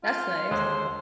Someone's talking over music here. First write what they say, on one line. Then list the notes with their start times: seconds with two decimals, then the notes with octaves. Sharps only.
That's nice.
0.04 F4
0.51 D#2 D3 G#3 C5